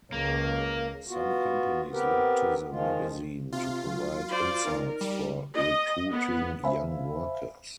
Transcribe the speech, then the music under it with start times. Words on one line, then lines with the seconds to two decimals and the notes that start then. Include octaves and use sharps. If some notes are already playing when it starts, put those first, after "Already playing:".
Some companies looked to the magazine to provide insights for recruiting young workers.
0.12 C#2 A#3
1.08 B3 F4 F#4
1.92 B3 C4 G4 A#4 B4
2.70 D#3 F3 G#3 F4
3.53 C3 F4
3.84 F#3 F#4
4.29 C5 D5
4.65 D#4 A#4 D5
5.01 G3
5.55 D#5
6.11 B3
6.64 C5 E5 F5 G#5 B5